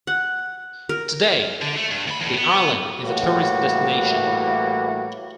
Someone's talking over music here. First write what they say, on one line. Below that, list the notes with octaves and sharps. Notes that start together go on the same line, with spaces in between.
Today, the island is a tourist destination.
F#5
A#4
D3
A3
G2
D2 B5
E2 A2
B3
A2 E3 G3 A#3 F#4